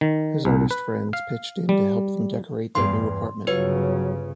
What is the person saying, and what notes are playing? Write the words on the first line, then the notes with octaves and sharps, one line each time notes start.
His artist friends pitched in to help them decorate their new apartment.
D#3
C2
B4
F5
G3
E2 G2 F5 C6
G1 C#3 F#3 F4 B4 C#5